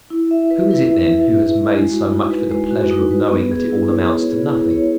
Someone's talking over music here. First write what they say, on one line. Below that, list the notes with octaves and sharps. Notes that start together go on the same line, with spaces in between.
Who is it then who has made so much for the pleasure of knowing that it all amounts to nothing!
E4
E5
B4
E4
E4
E5
B4
E4
G#3
F#4
D#4
B4
G#3
F#4
D#4
B4
B3
G#4
E4
C#5
B3
G#4
E4
C#5